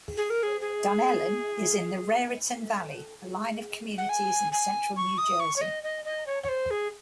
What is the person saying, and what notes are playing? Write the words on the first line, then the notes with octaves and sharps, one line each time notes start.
Dunellen is in the Raritan Valley, a line of communities in central New Jersey.
G#4
A#4
G#4
G#4
F#5
G#5
G#5
C#6
D#6
C#6
C#5
D#5
D#5
D#5
C#5
C#5
C5
G#4